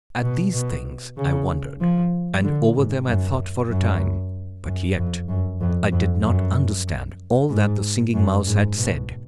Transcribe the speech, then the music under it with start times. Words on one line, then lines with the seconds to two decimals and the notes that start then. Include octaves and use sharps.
At these things I wondered, and over them I thought for a time, but yet I did not understand all that the Singing Mouse had said.
0.23 B2
0.53 B2
1.18 C#3
1.81 F3
2.43 D3
2.75 G#2
3.07 F#2
3.70 F#2
4.66 F#2
4.98 F2
5.28 F#2
5.61 F2
5.92 F2
6.24 F#2
7.50 G#2
8.14 F#2
8.46 G#2
8.77 B2